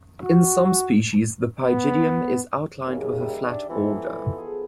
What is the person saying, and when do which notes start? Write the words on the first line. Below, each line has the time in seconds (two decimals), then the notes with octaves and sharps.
In some species the pygidium is outlined with a flat border.
0.23 F#4
1.64 B3
2.87 D#2 C#3 E5
3.20 G3 D#4 E5
3.46 D4
3.70 E3 F3 B3 A4
4.38 G#4